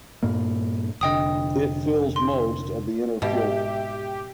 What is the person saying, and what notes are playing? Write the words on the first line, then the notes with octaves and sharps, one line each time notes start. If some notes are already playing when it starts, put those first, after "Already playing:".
It fills most of the inner fjord.
G2 A#2 A#3
F1 D3 D#5 G5 D#6
C6
G#2 B2 G4 E5